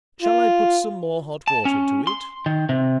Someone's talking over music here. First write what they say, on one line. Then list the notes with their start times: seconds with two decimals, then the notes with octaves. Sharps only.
Shall I put some more hot water to it?
0.22 F4
1.48 A5
1.65 C#4
2.07 C6
2.46 D#3
2.69 C3